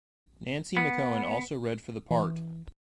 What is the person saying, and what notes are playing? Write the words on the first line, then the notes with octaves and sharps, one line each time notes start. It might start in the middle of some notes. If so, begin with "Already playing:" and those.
Nancy McKeon also read for the part.
B3
E3